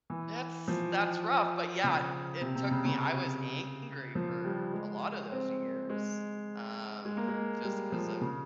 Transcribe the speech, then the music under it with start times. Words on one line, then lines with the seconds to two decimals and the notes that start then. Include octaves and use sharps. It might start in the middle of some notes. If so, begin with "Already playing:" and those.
that's that's rough but yeah, it took me I was angry for a lotta those years, um, just 'cause of
0.10 E3
0.68 F3
1.84 C#3
2.41 C3
2.55 C3
2.71 C#3
2.85 C#3
4.15 F3
4.44 G3
4.73 G#3
5.31 C4
5.89 G#3
7.05 G#3
7.17 A#3
7.28 G#3
7.63 G3
7.92 F3
8.21 C#3